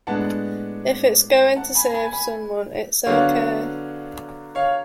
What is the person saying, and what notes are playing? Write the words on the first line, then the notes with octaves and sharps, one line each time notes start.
If it's going to save someone, it's okay.
A2 G#3 B3 D4 F#5 A5
F#5 A5
G#5 B5
A5
G#5 B5
G#5 B5
D3 F#3 B3 D4 C#5 F5
C#5 F5